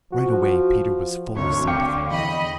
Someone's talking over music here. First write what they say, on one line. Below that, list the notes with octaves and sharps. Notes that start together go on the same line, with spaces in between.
Right away Peter was full of sympathy.
F3 F#4
G#1 D2 C#5
D3 F5 G5 D6 C#7
E2 D#5 B5